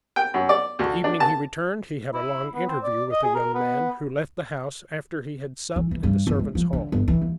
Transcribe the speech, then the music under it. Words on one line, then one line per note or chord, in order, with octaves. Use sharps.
The evening he returned he had a long interview with the young man, who left the house after he had supped in the servants' hall.
G5
F#2
D5
D2
D4
A5
E4
B3
C4
D5
D#5
G#4
A#4
B3
E3
E3
G2
G1
G#3
F3
D3
G1
E3
D#2